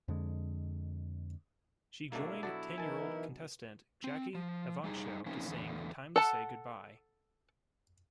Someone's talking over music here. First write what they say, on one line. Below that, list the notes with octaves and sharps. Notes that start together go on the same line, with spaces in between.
She joined ten-year-old contestant Jackie Evancho to sing "Time to Say Goodbye".
F2 D3 G#3
G2 B2 A3 A#3 D4 E4
F#3 B3 F#4 A4 D5
E3 D#4 A#4 G#5 A5
C4
F3
G3 D#4 G#4
F3 A3 A#3 C4 C#4 D#4
E2 D3 A3
A4 F#5 A5